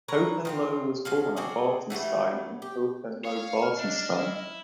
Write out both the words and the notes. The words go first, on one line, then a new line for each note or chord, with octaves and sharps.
Hohenlohe was born at Bartenstein in Hohenlohe-Bartenstein.
A#4 B4 C#5 A#5
D#3 C4 F4
F3 F#3 F5
C4 F#4 G#4 D5
E3 F#3 G3 A3
G4
C#5 F5
F6
D4 D#5
E4